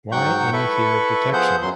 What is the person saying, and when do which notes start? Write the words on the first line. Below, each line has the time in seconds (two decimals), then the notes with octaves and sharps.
Why any fear of detection?
0.12 G#2 F#3 F#5 G5 C#6 G6
0.53 E4 A4 B4 B5 C#6
1.33 F3 B3 G#4 C5 F#5 G6
1.62 F#2 F#3 C6